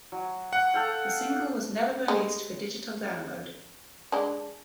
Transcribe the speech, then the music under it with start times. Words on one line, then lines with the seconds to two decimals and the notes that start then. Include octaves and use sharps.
The single was never released for digital download.
0.12 F#3
0.53 F#5
0.74 A4 F5 G5
2.08 G#3
4.12 G#3 D4